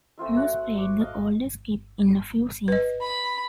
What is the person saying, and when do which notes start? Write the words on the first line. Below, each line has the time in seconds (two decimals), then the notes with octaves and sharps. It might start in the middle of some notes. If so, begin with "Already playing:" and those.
Moose played the older Skip in a few scenes.
0.18 A3 C4 F4 E5
0.37 F#4 F#5
0.75 C#6 D6
1.00 D#5 F5
2.68 B4 D#5
3.01 B5